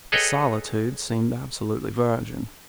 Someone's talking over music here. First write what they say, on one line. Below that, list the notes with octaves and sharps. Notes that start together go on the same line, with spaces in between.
The solitude seemed absolutely virgin.
G#4 A4 B4 C#5 D#5 G5